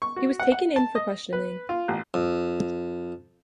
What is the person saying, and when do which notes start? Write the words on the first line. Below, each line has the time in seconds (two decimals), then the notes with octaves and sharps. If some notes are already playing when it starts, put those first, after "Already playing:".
He was taken in for questioning.
0.02 C#6
0.16 F#4
0.40 F#5
0.52 F#5
0.76 A5
0.95 D#5
1.33 B4
1.69 F4
1.88 A1
2.14 F2